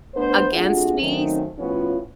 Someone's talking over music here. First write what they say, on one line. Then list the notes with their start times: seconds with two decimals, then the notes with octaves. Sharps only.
against me s
0.14 A3 B3 D4 C5
0.52 C3 A3 D4 F4 F#4 G#4
0.98 D#3 F#3 A3 C4 C#4 D#4
1.58 A2 F3 B3 C#4 F4 F#4